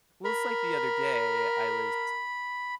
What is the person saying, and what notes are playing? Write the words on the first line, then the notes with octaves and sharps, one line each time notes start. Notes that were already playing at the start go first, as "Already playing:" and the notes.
Well, it's like the other day, I was
A#4 B5